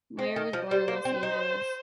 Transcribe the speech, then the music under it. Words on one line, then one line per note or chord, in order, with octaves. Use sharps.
Moyer was born in Los Angeles.
C4 D#5
D#3
F3
G3 C5
A#3
C4
D#4